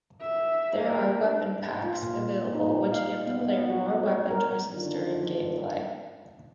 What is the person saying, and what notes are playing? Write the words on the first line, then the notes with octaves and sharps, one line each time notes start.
There are "weapon packs" available which give the player more weapon choices during gameplay.
E5
A#3
D4
F4
A#2
D#4
F5
B3
B3
F#4
C#5
A#4
F#2 D3 D#3 D4 F4